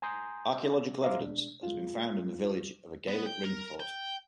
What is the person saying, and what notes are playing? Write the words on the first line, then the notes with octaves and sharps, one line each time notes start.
Archaeological evidence has been found in the village of a Gaelic ringfort.
G#5 A#5 C6 D#6 G6
C5 E5 F5 A#5 C6 D6
B2 G#3 D4
G#3 F4
B3
G5
A#4
G5